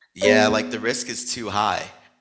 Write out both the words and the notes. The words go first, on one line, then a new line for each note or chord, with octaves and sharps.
yeah, like, the risk is too high.
B3 G#4 C5 D5